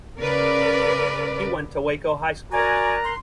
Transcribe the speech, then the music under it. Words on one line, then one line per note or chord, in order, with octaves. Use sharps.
He went to Waco High School.
C#3 A#4 B4 D5
F#4 A#4 D5 G#5 A#5 F#6
C6